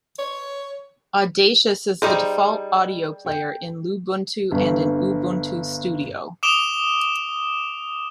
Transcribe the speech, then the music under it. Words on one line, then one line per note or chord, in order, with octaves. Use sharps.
Audacious is the default audio player in Lubuntu and in Ubuntu Studio.
C#5
G3 D#4 G#4 C5 D5 G5
A4 G5
G1 G2
D6 D#6 D7 E7 F7 G7